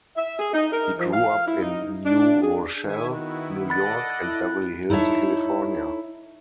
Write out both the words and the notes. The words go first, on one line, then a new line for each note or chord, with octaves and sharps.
He grew up in New Rochelle, New York, and Beverly Hills, California.
E5
G#4
D#4
A#4
F3
F5
E4
D#4
D4
G#4
D#3 E4 E5 G#5
B3 E4 F#4
A4 D5 D#5 F#5 B5 A6
E4 F#6
D#4 E4 A4 C#5 E5